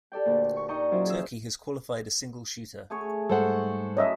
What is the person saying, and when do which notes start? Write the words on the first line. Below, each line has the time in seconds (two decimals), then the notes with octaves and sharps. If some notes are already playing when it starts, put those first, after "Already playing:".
Turkey has qualified a single shooter.
0.12 G4 A4 D5 G5
0.26 D2 A#2
0.57 C#6
0.69 D#4 D5 D#5 G5 A#5 C#6
0.91 F#3 C#4 E4 F4 C5 E5
1.05 G#4 D#6 E6
2.90 A3 G#4 C#5
3.29 G#2 G3 A4 C5 F#5
3.97 F#2 C#5 D#5 E5